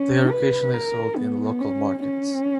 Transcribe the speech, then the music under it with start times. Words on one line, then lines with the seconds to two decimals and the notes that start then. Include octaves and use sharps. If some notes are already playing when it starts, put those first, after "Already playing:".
They are occasionally sold in local markets.
Already playing: C#4
0.31 B4
0.74 A#4
1.17 B3
1.60 C#4
2.04 C#4